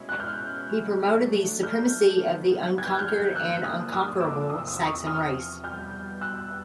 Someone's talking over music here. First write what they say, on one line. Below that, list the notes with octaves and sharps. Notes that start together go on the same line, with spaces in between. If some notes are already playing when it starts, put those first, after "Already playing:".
He promoted the supremacy of the unconquered and unconquerable Saxon race.
Already playing: B2 G#3 C#4 E4
F#6
F6 G6
F#3 A3 D4
F6 G6
G2 D#3 F#3 B3
G#6
G6
F#6
F6 G6
G#2 F3 A#3 D4 E6 F#6
D#6 F6
D#6 F6
D6 E6
E2 C3 F3 D#6
E6
D#6
E6
C#6 D#6
D#6 F6
E2 B2 G3 F6 G6
E6 F#6